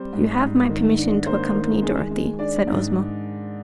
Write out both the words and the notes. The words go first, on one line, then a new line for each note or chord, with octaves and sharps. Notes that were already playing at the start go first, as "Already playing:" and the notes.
"You have my permission to accompany Dorothy," said Ozma.
Already playing: G3 C4 C5
G#2
G#2
D#3
D4
A#3 C5
D#3
G#3
G#3
D4 D5
G#2